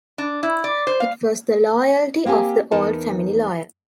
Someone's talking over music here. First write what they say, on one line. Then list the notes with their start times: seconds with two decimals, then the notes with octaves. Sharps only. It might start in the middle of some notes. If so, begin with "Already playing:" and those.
It was the loyalty of the old family lawyer.
0.18 D4
0.43 E4
0.64 D5
0.87 C5
1.00 F5
2.25 A#3 C4 G4 A#4 G#5
2.71 E2 B3 D#4 A#4 A5